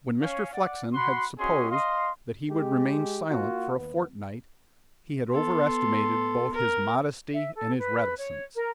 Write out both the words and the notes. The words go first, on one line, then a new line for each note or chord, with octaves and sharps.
When Mr. Flexen had supposed that he would remain silent for a fortnight, he had overestimated both his modesty and his reticence.
C#4 C#5 F5
D5 F#5
F#4 F#5 B5 C6
C4 C#4 F#4 G#4 D#5 C6
D#5 F5 C6
G#3 G4
A#3 F4 F#4
D#2 B3
B3 A4 C6
A#4
E5
A4
B4
C#5
A#4